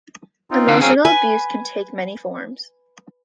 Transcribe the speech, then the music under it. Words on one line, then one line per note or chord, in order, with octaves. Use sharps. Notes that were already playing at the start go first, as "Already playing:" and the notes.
Emotional abuse can take many forms.
C4 D#4 F4
D3
C4 C#4 G#4 A#4 F5
B4 G#5